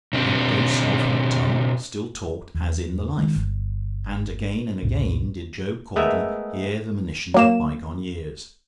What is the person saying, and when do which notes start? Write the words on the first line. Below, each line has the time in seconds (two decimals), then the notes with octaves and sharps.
The Ghost of her Tongue still talked as in the life; and again and again did Job Caudle hear the monitions of bygone years.
0.13 B2 C4 D4 G4
2.55 E2
3.17 D#3 G#3
3.36 G1
4.82 B1 E2 A2 C3
5.96 G#3 A3 B3 A#4 E5
7.34 F#3 A#3 E7